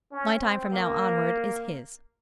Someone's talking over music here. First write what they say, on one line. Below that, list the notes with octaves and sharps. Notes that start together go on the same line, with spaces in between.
My time from now onward is his.
C#4
C4
A#3